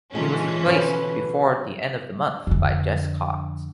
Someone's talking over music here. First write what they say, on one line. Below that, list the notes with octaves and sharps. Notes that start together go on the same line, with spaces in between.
He was replaced before the end of the month by Jess Cox.
A#2 D3 E3 G#3 C#4 D#4 F4
B2 D3 B4 C#5
F2 D3